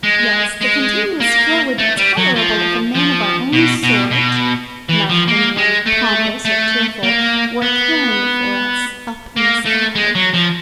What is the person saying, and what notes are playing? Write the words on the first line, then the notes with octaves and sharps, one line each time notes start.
Yes, the continuous flow would be tolerable if a man of our own sort--not anyone pompous or tearful--were caring for us up in the sky.
G#3
G#3
A#3
A3
G3
F#3
F3
F3
B2
B2
B2
E3
F3
A#3
G#3
A3
A3
A#3
B3
A#3
A3
G#3
F#3
F3